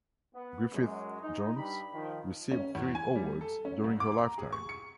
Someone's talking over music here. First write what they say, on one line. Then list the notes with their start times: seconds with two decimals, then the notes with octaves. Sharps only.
Griffith-Jones received three awards during her lifetime.
0.35 B3
0.73 F#2 G#3
1.21 D#4
1.56 G2 G3 B5
1.93 D#3 F3
2.52 C#4
2.75 E2
2.95 G#5
3.15 G3
3.41 A4
3.65 C#4
3.84 C2
4.00 D6
4.18 A#5
4.38 G#4
4.52 C#6
4.69 C#7